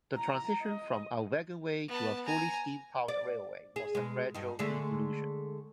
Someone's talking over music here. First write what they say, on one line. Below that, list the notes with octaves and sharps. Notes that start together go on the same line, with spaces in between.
The transition from a wagonway to a fully steam-powered railway was a gradual evolution.
A#5
D#5
B3 A5
G#5 A#5
D5
G#4
B2 G#3
G2 D#4
D3 G#3 A3